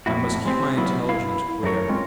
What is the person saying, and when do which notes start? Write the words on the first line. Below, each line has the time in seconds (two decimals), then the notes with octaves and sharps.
I must keep my intelligence clear.
0.06 F2 A2 E4 F#4
0.46 G#3 C4 G4
0.77 F#3 B3 E4 F4
1.09 E4 F5
1.63 F#2 A3 A#4 C#5
1.89 G#3 C4 C#4 F4 A#4